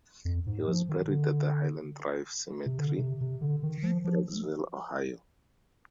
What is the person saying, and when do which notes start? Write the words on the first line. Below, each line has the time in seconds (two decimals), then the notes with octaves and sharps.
He was buried at Highland Drive Cemetery, Brecksville, Ohio.
0.25 F2
0.47 G#2
0.68 F3
0.89 D#3
1.09 D3
2.66 C3
2.78 D3
2.99 C3
3.21 C3
3.41 D3
3.63 D#3
3.83 F3
4.05 F3